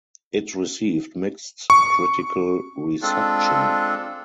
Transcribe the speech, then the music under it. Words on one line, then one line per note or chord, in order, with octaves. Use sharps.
It received mixed critical reception.
C#6
G#3 C4 D4 F4 A4